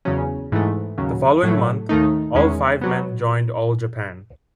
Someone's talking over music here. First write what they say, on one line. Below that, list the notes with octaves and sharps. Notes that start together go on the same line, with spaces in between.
The following month, all five men joined All Japan.
E2 C#3 F#3 C#4
G#2 E3 A3
D#2 C#3 F#3
A2 F#3 A3
D#2 D#3 A3 D#4
E2 D#3 G#3 C#4
B2 F#3 B3